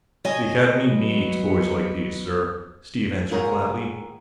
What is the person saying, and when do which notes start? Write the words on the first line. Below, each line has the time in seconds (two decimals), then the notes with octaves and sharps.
"The academy needs boys like this, sir," Steve answered flatly.
0.25 C#5 D#5 G#5
0.85 F#3 B3
3.31 D#2 G#2 G#4 A#4 C#5